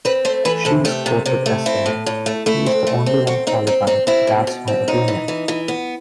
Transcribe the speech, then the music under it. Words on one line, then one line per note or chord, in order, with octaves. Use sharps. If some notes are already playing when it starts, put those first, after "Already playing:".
She is quoted as saying, He's the only one qualified-that's my opinion.
C4 B4
A3 C5
E3 B4
C3 A4
A3 G4
C3
C3
A3
C4 E4
A2
A2
A3
A3 E4
C4
A3
C4
C4 F#4
C4 D#4
C4 D#4
C4 D#4
C4 E4
B2
B2
C4
F#2 D#4
E3
E3
E3
B3